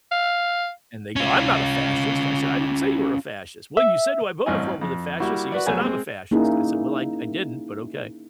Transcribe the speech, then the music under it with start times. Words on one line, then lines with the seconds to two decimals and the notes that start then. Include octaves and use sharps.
and they go, "I'm not a fascist." I said, "I didn't say you were a fascist." "Well you said who I voted for was a fascist, so you said I'm a fascist." I said, "Well, I I didn't, but okay.
0.12 F5
1.16 C#4 F4
3.77 E5
4.46 A1 G2 C4 D#5 G#5
4.82 F2
5.20 G3 A#3 E4 F#4
5.52 F#4 B4 D5
5.66 A#1 B2 F#3 B3 G#5
5.81 G#3 C4
6.31 A#3 C#4 D#4 E4 G#4